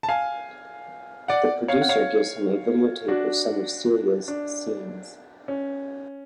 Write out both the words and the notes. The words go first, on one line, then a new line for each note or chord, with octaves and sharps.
The producer gives him a videotape of some of Celia's scenes.
A5
F5 G#5
D5 F#5
C#5 F5
F#5
C#5 F5
D4 F#4
D4
C#4